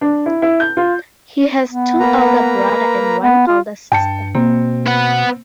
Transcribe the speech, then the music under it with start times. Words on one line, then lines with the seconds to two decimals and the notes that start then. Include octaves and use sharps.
He has two elder brother and one elder sister.
0.01 D4
0.26 E4
0.42 E4
0.60 G6
0.77 F4
1.67 B3
2.00 A#3 B4 A#5
3.20 B3
3.47 F4
3.92 G2 G5 A5 C#7
4.35 B2 A#3 C4
4.86 B3 F#5